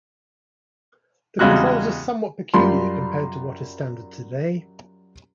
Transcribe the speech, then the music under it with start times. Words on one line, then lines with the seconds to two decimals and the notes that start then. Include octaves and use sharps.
The controls are somewhat peculiar compared to what is standard today.
1.39 E2 C#3 G3 G#3 F#4 F#6
2.54 F#2 G3 F4 B5 C6